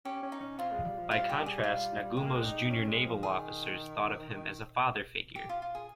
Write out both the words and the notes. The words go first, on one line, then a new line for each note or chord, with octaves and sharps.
By contrast, Nagumo's junior naval officers thought of him as a father figure.
C#4 G4
C#4
D#4
C#4
C4 F4
G#3
G3
F3
G3 F4
G4
G#4
F4
G#3 G4
A#3
G#3
D#4
D#4
C#4
G#3
F3
D#3 G#4
D#3
G4
F4
F4
G#4